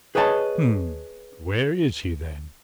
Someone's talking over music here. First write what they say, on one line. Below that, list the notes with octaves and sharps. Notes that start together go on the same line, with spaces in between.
"Hm, where is he, then?"
G#4 B4 C#5 D#5 G#5 A5